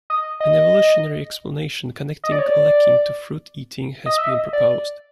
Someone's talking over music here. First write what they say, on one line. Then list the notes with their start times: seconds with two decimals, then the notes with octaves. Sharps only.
An evolutionary explanation connecting lekking to fruit-eating has been proposed.
0.10 D#5
0.40 D#5
2.24 D#5
2.32 D5
2.39 C#5
2.47 D5
4.06 D#5
4.18 E5
4.29 D#5
4.53 D5